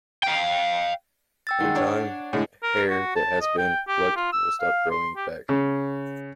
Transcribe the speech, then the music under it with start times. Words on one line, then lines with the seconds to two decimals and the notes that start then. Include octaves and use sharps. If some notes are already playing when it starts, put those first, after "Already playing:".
In time, hair that has been plucked will stop growing back.
0.23 F5 G5
1.47 G5 E6 A6
1.61 D#3 G#3 F#5
1.76 D4 C#5
2.33 A2 D3 G#3
2.63 A#4
2.90 F#4
3.16 A5
3.41 D#5
3.58 G5
3.88 G4
4.16 F4
4.33 E6
4.60 F5
4.91 C6
5.16 G4
5.49 C#3